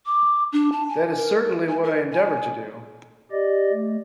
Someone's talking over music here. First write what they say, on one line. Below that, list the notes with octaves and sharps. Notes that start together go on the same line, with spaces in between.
That is certainly what I endeavour to do.
D6
D4
A5
G#5
A#4
G#5
A#4
G#5
G4 D5 D#5
A3